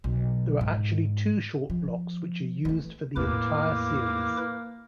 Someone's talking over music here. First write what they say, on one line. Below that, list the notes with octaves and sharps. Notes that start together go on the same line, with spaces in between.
There are actually two short blocks which are used for the entire series.
B1
G#2
F3
E3 A3
E2 A2 A#3 E4 B4 D6